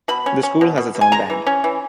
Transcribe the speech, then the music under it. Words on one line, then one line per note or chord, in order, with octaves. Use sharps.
The school has its own band.
B2 B5
C#4
C#4
B2
B2
B2
G#5
G#3 A#5
E3
C#4
E3